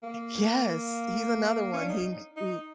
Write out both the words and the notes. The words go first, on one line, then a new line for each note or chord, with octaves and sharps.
Yes, he's another one, he c ooh,
A#3
C#4
D4
D#4
D#4